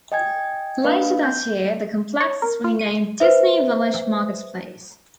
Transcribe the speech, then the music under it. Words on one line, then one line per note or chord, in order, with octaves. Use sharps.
Later that year, the complex was renamed "Disney Village Marketplace".
D#5 G5 G#5 G#6
A#3 D4 B4 D#5 F5
G6
C#5
A#4
F4
D#7
B4 C5 E5